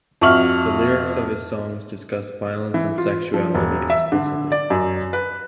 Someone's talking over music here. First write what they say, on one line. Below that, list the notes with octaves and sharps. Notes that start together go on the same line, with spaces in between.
The lyrics of his songs discuss violence and sexuality explicitly.
F2 F#4 E5 C#6 F6 F#7
E3
F4
F3
E1
E5
D3
D5
F#2
B4